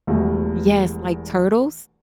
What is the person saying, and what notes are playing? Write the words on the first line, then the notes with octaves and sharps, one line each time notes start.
Yes, like Turtles?
E1 E2 G3 A3 F#4